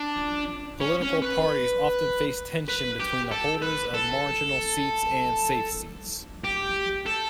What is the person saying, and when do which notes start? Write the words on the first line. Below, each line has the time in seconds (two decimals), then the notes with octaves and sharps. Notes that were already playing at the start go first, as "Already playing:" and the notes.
Political parties often face tension between the holders of marginal seats and safe seats.
Already playing: D4
0.81 C#4
1.02 C#4
1.22 B4
2.69 B4
3.00 G4
3.31 A4
3.62 B4
3.94 A4
6.44 G4
7.06 A4